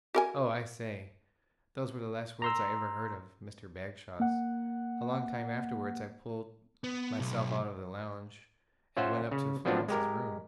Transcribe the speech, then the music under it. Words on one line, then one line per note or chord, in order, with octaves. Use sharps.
"Oh, I say...." Those were the last words I ever heard of Mr Bagshawe's. A long time afterwards I pulled myself out of the lounge and went up to Florence's room.
F#4 A#4 G#5
A#5 C6 E6
A#3 F#5
B3
B1
C#4 F4 C5 E5 F#5
C#3
F3 F#3 B3 C4 D4 F4
G#3 G4 A#4